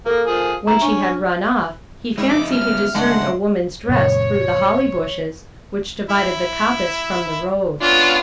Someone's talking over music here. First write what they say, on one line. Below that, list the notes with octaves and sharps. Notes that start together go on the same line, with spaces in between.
When she had run off he fancied he discerned a woman's dress through the holly-bushes which divided the coppice from the road.
A#3 A4 A#4
F3 G#4
E4 A#5
C#4 D4
G3 G#3 E4 C#5
F2 D#4 D6
G3 B3 C#4 F6
G2 C#3 G#3 A3 D4 F#5 C6
F#2 A#2 C#3 C#5
E4
B3 C#4 D4 F4